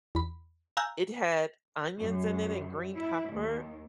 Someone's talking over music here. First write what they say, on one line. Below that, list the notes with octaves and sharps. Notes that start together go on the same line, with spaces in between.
It had onions in it and green pepper,
E2 B5
F5 G#5 A#5 E6 F#6 G6
F#2
E4
D#2